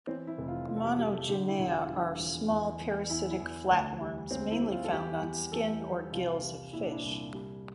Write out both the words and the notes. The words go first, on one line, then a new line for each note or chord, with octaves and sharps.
Monogenea are small parasitic flatworms mainly found on skin or gills of fish.
E3 C4
E4
F1
F4
F1 F4
A4
G4
F4
G3 G4
A4
D3 G4
E4
E1 E4
F4
F3
E2
E2
E2
E2 E4
E4
E2
D2
G3
D2 C4
E4
G3
F4
A4
E2 G4
E2
E3 A4
G3
C2 F4
G3
A#2 E4
D4
E4
C2
G3